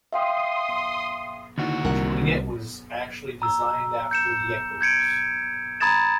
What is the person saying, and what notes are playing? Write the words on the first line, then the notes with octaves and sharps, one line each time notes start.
The Juliett was actually designed after the Echos.
E5 F5 G5 C6 D#6
D#2 D3 D#4 E4 F#4
C2 A#4 F#5
A#5 E6
G6 C#7 E7
G6 G#6 C#7 D7
A#5 B5 D#6 G#6 A6 E7